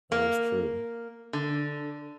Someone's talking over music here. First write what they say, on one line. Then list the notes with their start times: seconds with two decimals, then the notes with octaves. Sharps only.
That is true.
0.12 A#3
1.33 D3